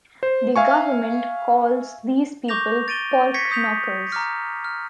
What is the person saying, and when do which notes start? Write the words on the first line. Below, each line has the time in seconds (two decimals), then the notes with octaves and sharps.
The government calls these people porknokkers.
0.23 C5
0.56 E5 F5 G#5 C#6
2.48 C#6 D6 G6 A#6 F7
2.88 A6 D7 D#7 G7
3.34 C#6 G#6 A#6 B6 C#7
3.51 D#6 G6 B6 F7
4.12 A#5 D6 F6
4.64 F6